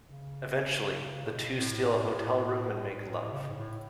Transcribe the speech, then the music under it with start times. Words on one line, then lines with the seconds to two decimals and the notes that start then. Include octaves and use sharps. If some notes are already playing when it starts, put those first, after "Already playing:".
Eventually, the two steal a hotel room and make love.
0.08 C#3
1.25 A2
1.33 B2
1.58 A2
1.83 A2
2.08 A2
2.82 G#2
3.07 A2
3.32 C#3
3.49 G#2
3.57 A2